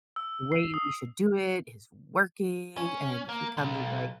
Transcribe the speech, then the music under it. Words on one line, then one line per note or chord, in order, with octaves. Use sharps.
the way we should do it is working, and he comes, he's like,
E6
C7
D#6
C#4
A#3
B1